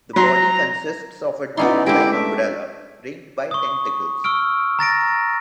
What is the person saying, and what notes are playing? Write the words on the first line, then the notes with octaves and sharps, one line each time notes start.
The body consists of a dome-like umbrella ringed by tentacles.
F#3 A#5 C6
B3 C#4 D#4 E4 D5 C6
D3 G#3 D4 E4 G4 D6
A3 E5
C#6 D#6
C#6 E6 F6 D7
A#5 A6 A#6 D7